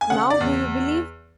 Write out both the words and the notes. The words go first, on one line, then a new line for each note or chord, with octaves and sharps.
Now do you believe?
G#5
C#3 F#5
D5
E2